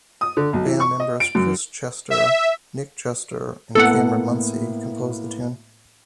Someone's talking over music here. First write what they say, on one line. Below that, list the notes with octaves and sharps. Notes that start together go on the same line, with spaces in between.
Band-members Chris Cester, Nic Cester, and Cameron Muncey composed the tune.
D#6
D3
B1
E3
C#6
D#5
D7
F#2
E5
A2 A#3 B3 A4 F#5